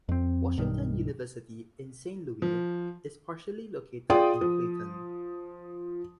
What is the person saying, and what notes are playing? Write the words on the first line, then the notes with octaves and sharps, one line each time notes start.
Washington University in Saint Louis is partially located in Clayton.
F2 C4
B1 G2 D#3
F3
F4 G#4 D5 G5 C6 D#6
F3